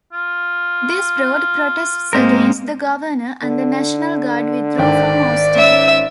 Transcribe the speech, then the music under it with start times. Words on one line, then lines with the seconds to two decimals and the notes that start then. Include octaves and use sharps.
This brought protests against the governor, and the National Guard withdrew from Austin.
0.13 F4
2.13 G#2 G#3 A#3 C4 A#4
3.43 D3
4.78 G#1 D5 G5
5.56 C#4 E5 E6